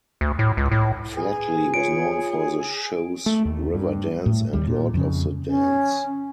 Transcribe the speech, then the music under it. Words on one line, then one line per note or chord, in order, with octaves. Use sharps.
Flatley was known for the shows "Riverdance" and "Lord of the Dance".
D2
A2
C#2
A2
G#4 B4
F4 C#5 C#7 D7
A3
D#2
G2
A2
D#2 G3
A#2
F2 C#3
C#4